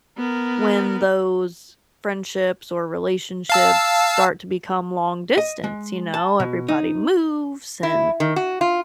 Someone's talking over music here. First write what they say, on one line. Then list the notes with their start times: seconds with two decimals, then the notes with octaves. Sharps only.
when those friendships or relationships start to become long distance, you know. Everybody moves and
0.17 B3 A#4
3.49 F5 A5 E6
5.38 D#5
5.64 G#3
6.14 A5
6.40 B2
6.68 D#4
7.83 E4
8.20 D#3
8.36 F#4
8.61 F4